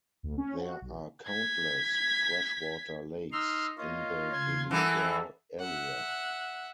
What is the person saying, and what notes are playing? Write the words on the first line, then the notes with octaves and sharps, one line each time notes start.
There are countless freshwater lakes in the Beluga area.
D2
C#4
F#4
B1
G#6 B6
D#4 C6 E6 F6
A#3 F4 C#5 D#5
C#3 C6 G#6
E3 A#3 G#4 A4 E5 F#5
E5 F#5